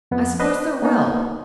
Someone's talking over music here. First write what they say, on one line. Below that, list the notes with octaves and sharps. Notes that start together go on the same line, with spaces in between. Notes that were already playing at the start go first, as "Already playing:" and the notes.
'I suppose they're well.
F2 B3
B4 C5 D#5
A#3 B3 D#4